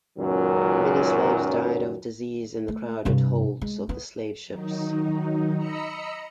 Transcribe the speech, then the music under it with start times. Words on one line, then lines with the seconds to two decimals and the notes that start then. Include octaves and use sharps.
Many slaves died of disease in the crowded holds of the slave ships.
0.18 C#2 F#2 A#2 D#3 F#3
2.68 A3
3.05 G2 C3
3.62 G#3
3.89 B3
4.47 D#3 F#3 D#4
5.56 D#5 A#5 B5 E6 C#7